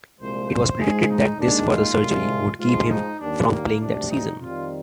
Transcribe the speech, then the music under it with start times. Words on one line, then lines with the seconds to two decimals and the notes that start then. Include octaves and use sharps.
It was predicted that this further surgery would keep him from playing that season.
0.19 C2 A#2 F3 G#3 C5
0.49 C5
0.79 G#2 F3 G#3 G#4
1.09 D#4
1.39 D#2 D#3 G#3 D4
1.69 F4
1.99 C2 C3 F3 G#3
2.59 G#2 F3 G#3 F4
2.89 D#4
3.20 D#2 D3 G3 D4
3.50 A#3
3.80 D2 C3 G3 D4
4.09 D#4
4.40 F2 D#3 G3 F4